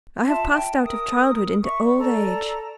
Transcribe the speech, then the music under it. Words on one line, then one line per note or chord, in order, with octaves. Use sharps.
I have passed out of childhood into old age.
F4 E5 A5
G5
A#4 D#6
E5 C#6
D5
A4 D5 A#5